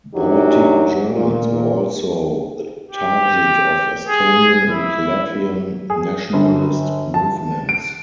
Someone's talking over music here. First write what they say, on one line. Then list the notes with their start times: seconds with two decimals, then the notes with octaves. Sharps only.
Baltic Germans were also the target of Estonian and Latvian nationalist movements.
0.14 F#2 E3 F#3 D4 D#4 G4
1.10 A#2
2.91 G4
4.08 G#4
4.69 E4
5.90 G#4
6.33 G1
7.14 A5
7.69 D7